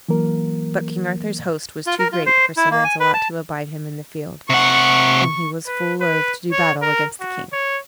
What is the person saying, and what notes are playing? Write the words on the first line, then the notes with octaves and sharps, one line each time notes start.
But King Arthur's host was too great for Sir Launcelot to abide him in the field; and he was full loath to do battle against the king.
E3 F#3 A#3 A#4
F4
A#4
F4
C5
E4
A#3
G#5
B4
A5
C3 F#5 C#6
B4
B4
C#5
A#4
F#4
C#5